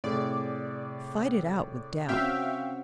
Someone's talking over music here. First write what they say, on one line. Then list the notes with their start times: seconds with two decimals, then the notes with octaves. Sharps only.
Fight it out with doubt.
0.04 A2 C3 G#4 D5
2.08 C4 C#4 F#4 E5 F5 G5